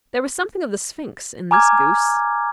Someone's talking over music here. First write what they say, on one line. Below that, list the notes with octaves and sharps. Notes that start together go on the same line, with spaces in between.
There was something of the Sphinx in this goose.
G#5 A#5 D6 F6 G#6